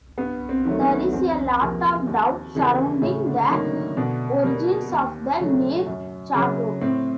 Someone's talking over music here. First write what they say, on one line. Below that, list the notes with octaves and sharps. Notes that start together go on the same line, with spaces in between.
There is a lot of doubt surrounding the origins of the name "charlotte".
G2 B3
C4
D#3 F#3 A3
B3
E2 C4
C3 F3 A#3
D#2
C#3 E3 G3 A#3
A2 C#3 C#4
D3 D4
D#3 F#3 A#3 D#4
D4
D#3 D#4
B2 D3 D4
G3 A#3
D#2
C#3 F#3 A3
F#2
C#3 F#3
A2 C4